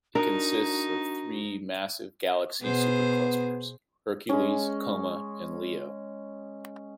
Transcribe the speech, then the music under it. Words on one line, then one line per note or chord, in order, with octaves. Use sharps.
It consists of three massive galaxy superclusters: Hercules, Coma and Leo.
D4 D#4 F#4 A#4
B2 B3 G#4 C5
G#3 C#4